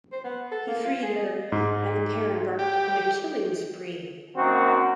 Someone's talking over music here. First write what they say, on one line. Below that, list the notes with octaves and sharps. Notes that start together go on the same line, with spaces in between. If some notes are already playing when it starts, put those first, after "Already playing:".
He freed her, and the pair embarked on a killing spree.
C5
B3
A4
A#3
F4
G#4
D#5
G#2
G4
F#2 A#3 C4 D#4 F#4